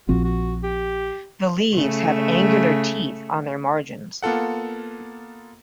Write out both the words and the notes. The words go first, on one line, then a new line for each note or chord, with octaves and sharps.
The leaves have angular teeth on their margins.
A#1 F3 C4 F#4
F#4
G4
C#3 A3
A#3 B3 F4 A4 F#5